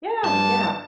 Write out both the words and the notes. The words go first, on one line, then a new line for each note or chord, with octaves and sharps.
Yeah, yeah,
G2 A5